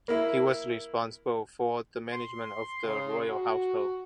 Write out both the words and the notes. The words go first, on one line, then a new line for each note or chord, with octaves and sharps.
He was responsible for the management of the royal household.
A#3 E4
C6
C#3
F#4